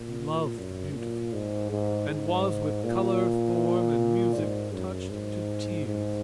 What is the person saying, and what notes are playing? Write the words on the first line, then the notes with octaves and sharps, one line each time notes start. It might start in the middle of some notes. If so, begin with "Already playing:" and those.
He loved the beautiful and was with color, form and music touched to tears.
Already playing: A#2
F#2
A#2
G#2
G#2
G#2
A#2
G#2
F#2
G#2
G#2